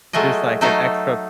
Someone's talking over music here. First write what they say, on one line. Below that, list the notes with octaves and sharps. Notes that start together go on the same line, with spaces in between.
just, like, an extra
F#3 G#3 A3 F4 D#5
F#3 A3 D#4 A4 D#5 F5